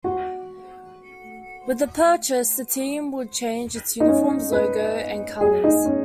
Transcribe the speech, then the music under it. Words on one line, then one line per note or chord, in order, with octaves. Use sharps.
With the purchase the team would change its uniforms, logo, and colors.
F#4
D#4
C#4
B4
G#4
D#4
C#4